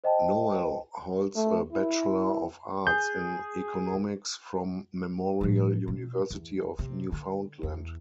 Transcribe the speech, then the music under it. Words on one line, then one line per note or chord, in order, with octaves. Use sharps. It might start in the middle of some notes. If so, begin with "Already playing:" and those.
Noel holds a Bachelor of Arts in Economics from Memorial University of Newfoundland.
C5 D#5 G5 A5
A3
E4
G#4 G6
A2 F3
B2
E2
C3
D3
E2